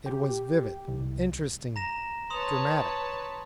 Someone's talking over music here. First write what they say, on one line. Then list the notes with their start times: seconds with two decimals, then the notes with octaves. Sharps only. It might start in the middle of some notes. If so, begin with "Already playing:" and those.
It was vivid, interesting, dramatic.
0.06 G4
0.88 C2
1.76 A#5 A#6 E7
2.30 B4 C#5 A5 C6 D#6 F7